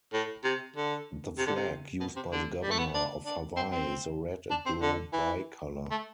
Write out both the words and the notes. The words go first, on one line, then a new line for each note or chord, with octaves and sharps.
The flag used by the governor of Hawaii is a red and blue bi-color.
A2
C3
D3
C3
D3
C3
B2
C3
D3
G3
A3
B3
D4
D4
C4
C4
D4
C4
D3
E3
A3